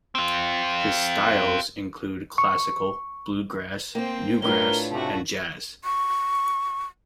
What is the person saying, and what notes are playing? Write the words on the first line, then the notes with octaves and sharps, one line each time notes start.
His styles include classical, bluegrass, newgrass, and jazz.
C4 F4
C#6
A#3 C4 C5 G5
A2 D4 F4 A#4 B4 C#5 G7
C#2 C3 A3 F#4 A5
C#6